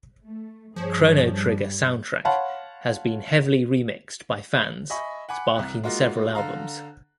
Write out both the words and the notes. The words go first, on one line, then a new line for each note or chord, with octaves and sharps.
"Chrono Trigger" soundtrack has been heavily remixed by fans, sparking several albums.
A3
G2 F3 G#4 C#5
G3
C#5 F5 F#5 A5 B5 C6
D#5 E5 G#5 B5 C#6
F#5 G#5 B5 D6
C2 C3 F#6
G#3 A#3 D#4 F4 F#4
D3 A4 F5 A#5